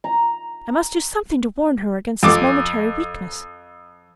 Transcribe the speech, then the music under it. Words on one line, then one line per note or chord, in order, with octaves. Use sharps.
I must do something to warn her against this momentary weakness.
A#5
F2 D6